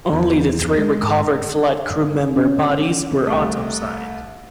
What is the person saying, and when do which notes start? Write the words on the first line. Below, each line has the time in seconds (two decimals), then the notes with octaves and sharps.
Only the three recovered flight crewmember bodies were autopsied.
0.13 E2
0.78 G#3
1.03 G#2
2.36 C#4
3.27 C2 A3